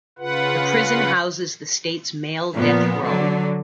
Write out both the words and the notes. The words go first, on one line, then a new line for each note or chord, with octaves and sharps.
The prison houses the state's male death row.
C#3 F4 B4 F#5
A#2 F3 B3
D3 F#3